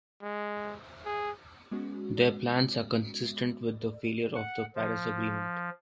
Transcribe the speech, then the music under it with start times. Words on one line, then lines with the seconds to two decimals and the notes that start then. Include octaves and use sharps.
Their plans are consistent with the failure of the Paris Agreement.
0.22 G#3
1.06 G#4
1.71 G#3 B3 C#4 F#4
4.35 F#5
4.75 F3